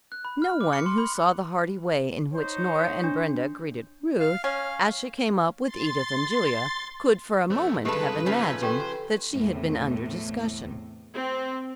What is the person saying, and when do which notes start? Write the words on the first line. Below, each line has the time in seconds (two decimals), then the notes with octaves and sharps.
No one who saw the hearty way in which Nora and Brenda greeted Ruth, as she came up with Edith and Julia, could for a moment have imagined that she had been under discussion.
0.12 F#6
0.25 B5
0.42 F6
0.61 D6
0.73 C#7
0.86 C6
0.98 B5
2.34 D#4 C5 C#5
3.04 D4
4.20 F5
4.44 C#4 F5
5.63 C6 A6
7.50 F2 A3 C5
7.85 G2 C#3 G#3 G4 A4 B4
8.26 C#3 F3 A3 C#4 D#4
8.63 G4 A4 C5 G5
9.32 E2 A2 C3
11.14 C4